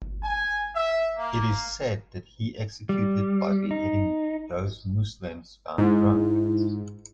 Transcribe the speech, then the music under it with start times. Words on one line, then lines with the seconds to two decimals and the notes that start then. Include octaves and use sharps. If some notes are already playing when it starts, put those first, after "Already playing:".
It is said that he executed by beheading those Muslims found drunk.
0.23 G#5
0.76 E5
1.18 A#3
2.89 G3
3.71 D#4
5.78 G#2 E4